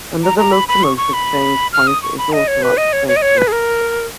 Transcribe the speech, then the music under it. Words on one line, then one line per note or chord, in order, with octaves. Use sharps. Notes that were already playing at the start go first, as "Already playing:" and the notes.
Another locomotive change point is also at Station.
A#5
A#5
B5
B5
C#6
C#6
B5
F6
D#6
C#6
B5
D#5
C#5
B4
D#5
C#5
C#5
D#5
C#5
B4
G#4
A#4